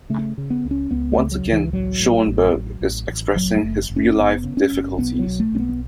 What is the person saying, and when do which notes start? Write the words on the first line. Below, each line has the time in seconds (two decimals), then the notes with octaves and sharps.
Once again, Schoenberg is expressing his real life difficulties.
0.10 C#3 A3
0.38 C#3
0.50 B3
0.65 C#2
0.71 C#4
0.91 C#2 B3
1.12 A3
1.18 C#3
1.32 F#3
1.45 C#2
1.52 E3
1.73 A1 F#3
2.00 A2
2.27 A1
2.54 A1
2.81 A1
3.08 A1
3.35 F#1 F#3
3.56 A3
3.63 F#1
3.90 F#1
3.96 C#4
4.17 F#1 B3
4.44 C#3
4.57 C#4
4.72 F#1
4.98 B1 B3
5.19 F#3
5.26 B1
5.40 A3
5.52 B1 C#4
5.60 B3